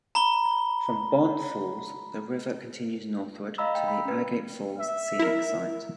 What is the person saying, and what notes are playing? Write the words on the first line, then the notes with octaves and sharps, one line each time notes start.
From Bond Falls, the river continues northward to the Agate Falls Scenic Site.
A#5 B5 G7
D#5 F5 A#5 B5 E6
G5
B5
C#4 B4
E5
E4 A#4